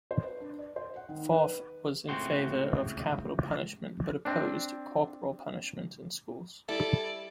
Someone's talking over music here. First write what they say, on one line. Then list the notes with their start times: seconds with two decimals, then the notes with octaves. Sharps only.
Forth was in favour of capital punishment, but opposed corporal punishment in schools.
0.11 C5
0.23 B4
0.40 D4
0.59 D5
0.76 C5
0.96 F#5
1.09 D#3
1.32 B4
2.09 C#2 A2 C4 F#4 C6
4.25 C4 D4
6.69 G3 E4 A4 D5 E5